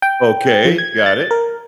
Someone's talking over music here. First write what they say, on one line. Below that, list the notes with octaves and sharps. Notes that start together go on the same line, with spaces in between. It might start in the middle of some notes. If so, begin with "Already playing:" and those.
Okay. Got it.
G5
F3
G#6
A6
A#4